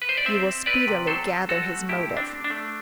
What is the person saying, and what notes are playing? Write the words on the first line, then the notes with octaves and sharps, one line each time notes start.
You will speedily gather his motive.
B4
C5
D5
C4 C5 E5
C4
C4 B4 D5
C3
F#3 A4 C5
C4
C4 F#4 A4
A3
A2 E4 G4
C4
D4
A3
D4
A3